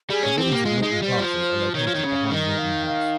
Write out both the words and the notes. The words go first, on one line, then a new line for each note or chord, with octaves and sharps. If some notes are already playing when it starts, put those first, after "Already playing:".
The ruins of Naughton Castle are located behind Naughton House.
G3 G#4
C#4
C4 G4 A4
A#3
G#3 F4
G#3 D#4
F4
G3 C5
F3
D#3 C#5
F3
D#3
C#3
D#3 D#5
F5
F5